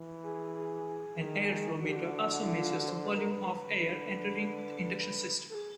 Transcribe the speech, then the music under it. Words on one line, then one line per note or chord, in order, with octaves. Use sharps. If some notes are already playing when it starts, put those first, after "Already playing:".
An air flow meter also measures the volume of air entering the induction system.
Already playing: E3
G#4
G#4
D#3
D3 F#4
G4
F#4
E4
F4
F#4
C5
B4
A#4
B4
D3
A4
G#4